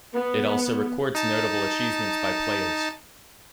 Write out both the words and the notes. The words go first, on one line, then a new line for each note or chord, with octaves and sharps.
It also records notable achievements by players.
B3
D#4 A5